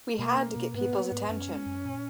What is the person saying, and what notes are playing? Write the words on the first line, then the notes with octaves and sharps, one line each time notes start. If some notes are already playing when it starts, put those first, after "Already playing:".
We had to get peoples' attention.
B2 A#3
C#4
B2
G#2 B3
A#3
G#2
F#2 C#4
G#3
F#2
A#2